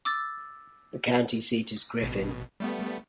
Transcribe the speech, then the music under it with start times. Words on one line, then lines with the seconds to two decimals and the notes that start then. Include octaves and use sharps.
The county seat is Griffin.
0.05 D6 E6 A6
2.03 A1 B2
2.60 G3 A3 B3